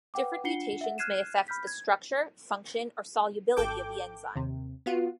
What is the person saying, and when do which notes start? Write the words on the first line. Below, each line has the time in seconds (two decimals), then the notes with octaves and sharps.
Different mutations may affect the structure, function or solubility of the enzyme.
0.14 B4 F#5 G5 D6
0.44 D4 F4 F#5 C7 C#7 G7
0.81 E5 F#5
0.98 F6 F#6 G#6 C7 D#7 E7
1.48 B5 F6 G6 B6
1.67 G#6
3.56 G#1 A4 G5 D6 G6
4.35 D#2 C3
4.86 B3 F4 F#4